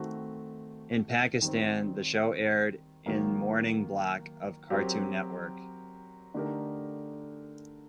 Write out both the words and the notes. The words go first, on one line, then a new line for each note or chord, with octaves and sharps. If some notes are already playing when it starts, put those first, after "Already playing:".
In Pakistan, the show aired in morning block of Cartoon Network.
Already playing: D#3 A3 C4 F#4
D#3 G3 C4
D#3 F#3 A#3
F#3 C4 G4 A#4
D3 A3 D#4 G4 A#4